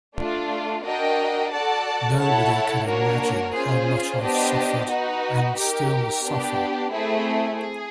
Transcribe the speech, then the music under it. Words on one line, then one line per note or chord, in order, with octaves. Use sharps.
Nobody can imagine how much I've suffered, and still suffer.
A3 D4 F4
D4 F#4 A#4 D#5 G5
F#4 A4 D5 F#5 A5
E4 A4 C#5 F#5 A5
A#3 D4 F#4 A#4 C#5
C#4 F4 G#4 C5
B3 D4 G4 C5 D#5
D#4 F#4 B4
D#4 G4 A#4
B3 D4 G4
A3 C4 E4 G#4
G#4